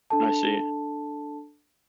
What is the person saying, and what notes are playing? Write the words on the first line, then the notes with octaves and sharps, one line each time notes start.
I see.
D4 A4 A5